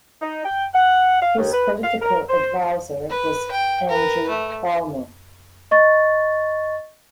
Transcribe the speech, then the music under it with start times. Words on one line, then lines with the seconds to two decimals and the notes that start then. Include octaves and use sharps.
His political adviser was Andrew Palmer.
0.21 D#4
0.45 G5
0.74 F#5
1.21 F5
1.38 D#2
1.53 B4
1.83 F5
2.01 A#4
2.29 C5
3.10 B4
3.51 G5
3.89 A#4 B4
4.29 A3
5.71 D#5 C#6 A6